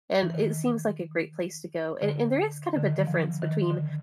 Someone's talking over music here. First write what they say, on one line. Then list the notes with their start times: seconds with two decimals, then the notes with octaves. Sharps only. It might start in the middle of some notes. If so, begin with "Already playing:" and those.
And it seems like a great place to go. And and there is kind of a difference between
0.23 E3
0.34 D#3
2.02 D3
2.77 D3
2.86 D#3
3.07 F3
3.15 E3
3.42 D#3
3.70 D3